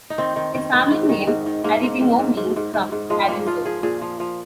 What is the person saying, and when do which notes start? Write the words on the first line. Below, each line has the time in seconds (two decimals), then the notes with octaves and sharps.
His family name 'Aretino' means 'from Arezzo'.
0.10 D#4
0.18 D#3 C4
0.36 D#3
0.55 D#3
0.73 D#3
0.91 G#2
1.09 D#3
1.27 G#2
1.46 D#3
1.64 G#2 A#3
1.83 G#2
2.01 G#2
2.19 G#2
2.37 G#2
2.56 G#2
2.74 G#2
2.92 G#2
3.10 F3 G#3
3.28 A#2 A#3
3.47 F3 F4
3.65 F3 G#4
3.83 A#2 G#4
4.01 F3
4.20 F3